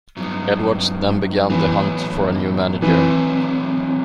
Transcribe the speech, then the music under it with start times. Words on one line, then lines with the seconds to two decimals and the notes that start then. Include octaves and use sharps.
Edwards then began the hunt for a new manager.
0.17 G2 F#3 B3
1.50 A2 E3 F#3 B3
2.82 E3 F#3 A3 C4